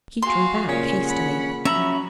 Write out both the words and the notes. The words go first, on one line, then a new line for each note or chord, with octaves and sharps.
She drew back hastily.
F#4 G#4 F5 C6
A#2 C#3 C#4
F#5 B5
F3 F#3 C#4 E5 A#5 B5